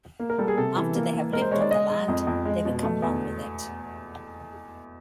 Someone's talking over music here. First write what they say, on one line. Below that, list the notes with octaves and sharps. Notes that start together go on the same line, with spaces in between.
After they have lived on the land, they become one with it.
A#3
A#4
G3 A4
G#4
C3 A4
E3
A#3
A#3
G#3 A#4
C5
G#3 C#5
D5
G#3 D#5
G#3
F2
F2
G#3
B2
A3
E2